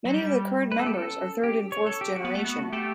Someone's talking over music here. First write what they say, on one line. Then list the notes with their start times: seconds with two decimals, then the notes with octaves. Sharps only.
Many of the current members are third and fourth generation.
0.05 F#3
0.14 G3
0.72 A3 B4
0.79 A4
0.86 B3 G4
0.94 A4
1.00 C#4
1.44 G4
1.52 D4
1.58 C#4
1.72 C#5
1.87 A4
2.01 G4
2.16 F#4
2.25 B3
2.35 A3
2.45 B3
2.59 A3
2.73 A3 G4